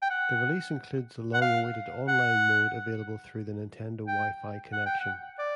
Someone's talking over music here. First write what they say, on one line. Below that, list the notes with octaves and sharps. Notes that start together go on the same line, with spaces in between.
The release includes the long-awaited online mode available through the Nintendo Wi-Fi connection.
G5
F#5
F#5
F5
F#5
G5
F#5
G5
F#5
D5